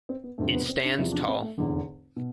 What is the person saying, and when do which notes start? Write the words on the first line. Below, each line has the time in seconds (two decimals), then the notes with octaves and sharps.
It stands tall.
0.09 C4
0.24 B3
0.38 E1 D2 C3 F3 A3
0.54 B3
0.69 C4
0.83 D4
0.98 E2 C3 F3 E4
1.12 D4
1.28 C4
1.42 A3
1.58 F1 E2 D3
2.16 B2